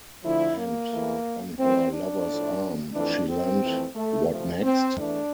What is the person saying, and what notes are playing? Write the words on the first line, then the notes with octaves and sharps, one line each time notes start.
"And on her lover's arm she leant" — what next?
D2 D3 F3 A3 E4
A#3
E2 E3 A3
E2 E3 A3 C4
D4
A2 F3 A3
F2 E3 A3 D4
C4
F2 E3 A3
A3
D2 C3 F3 A3
C4
E2 E3 A3 D4